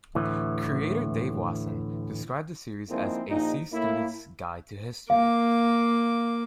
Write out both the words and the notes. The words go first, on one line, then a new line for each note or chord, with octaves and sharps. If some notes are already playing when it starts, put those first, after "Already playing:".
Creator Dave Wasson described the series as "a C-student's guide to history".
D2 A2 E3
F3 G#3 A#3 C4 D#4 E4
A#1 A#2 D#4
A2 A#3 E4
A#3 F5 D6